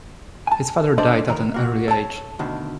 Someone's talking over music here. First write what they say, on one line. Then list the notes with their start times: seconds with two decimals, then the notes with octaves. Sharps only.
His father died at an early age.
0.47 G#5 A5
0.98 D4 A4 C5 D5 D#5 C6
1.28 E2 D#3 A#4
1.54 A#3 F#4
1.88 A4 C#5 A5
2.39 D2 B2 D3 D#3